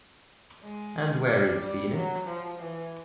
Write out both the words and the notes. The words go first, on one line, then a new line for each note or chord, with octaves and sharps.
And where is Phoenix?
G#3
G3
G3
F#3
F3
E3